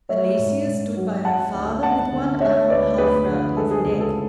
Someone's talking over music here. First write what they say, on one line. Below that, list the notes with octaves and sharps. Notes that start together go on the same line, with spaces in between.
Alicia stood by her father, with one arm half round his neck.
A3 C#5 E5
G#2
G#2
F#3
G#3 F#5 A5
D2
B3 F#5 A5
D3
G#3 C#5 E5
D2 B4 D5
D2 G#4 B4
D3
G#3 A4
G#4
C#2 G#4
A4